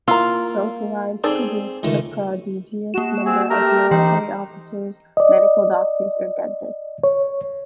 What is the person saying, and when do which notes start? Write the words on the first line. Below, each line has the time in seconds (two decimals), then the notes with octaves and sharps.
Both lines produced a prodigious number of military officers, medical doctors, or dentists.
0.08 A#3 E4 F4 A#5
1.24 C4 D#4 G#4 A4 D5
1.83 C#2 D#3 A3
2.94 A#3 F#4 E7
3.26 C4 G#4
3.50 A3 G4 A#4 A#5
3.91 E3 D#4 C5 G5
5.17 D5 D#5
7.04 C#5